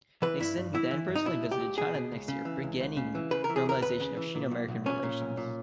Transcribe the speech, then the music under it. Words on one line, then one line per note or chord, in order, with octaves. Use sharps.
Nixon then personally visited China the next year, beginning the normalization of Sino-American relations.
E3 B4
G2 E4
G2
E3 E4
E3
G2
D#4
B2 E4
C#2
G4
C#2
B2 G#4
B2
C#2
C#3
E3
C#2
C#2
C#3
E3
C#3 B4
A#4
E3
G#4
D#2 A#4
D#2 B4
C#3
E3
A#2
B1
B1
A#2 C#4
A#2
B1
A#2